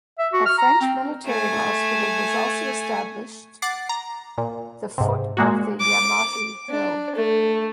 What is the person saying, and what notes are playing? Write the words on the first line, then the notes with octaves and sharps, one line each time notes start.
A French military hospital was also established the foot of the Yamate hill.
E5
F#4
F6
A#5
C4
A3 G#5
F#5 D6 A6 C7
A#5
A#2
G#2 C3
A#2 G#3 A#3 F#4
D6
D4
A3